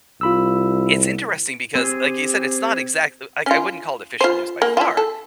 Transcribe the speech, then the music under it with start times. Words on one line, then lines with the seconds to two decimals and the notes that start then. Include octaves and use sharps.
it's interesting because like you said it's not exactly like, I wouldn't call it official news by far,
0.21 C2 F4 B5 E6
1.75 C4 G4 G#4
3.46 C#4 F4
4.21 F4 C5
4.62 A#3
4.77 E4 F4
4.97 A4